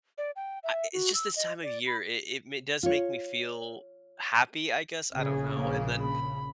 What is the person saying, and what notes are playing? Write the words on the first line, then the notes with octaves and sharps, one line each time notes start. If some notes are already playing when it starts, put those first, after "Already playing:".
a it's just this time of year. It it m does make me feel happy, I guess. I don't know. And then
D5
G5
E5
F#4
E6
D#5
D5
B5
F4 C#5
A#1 C#3 G#4
A#3 C#4
B5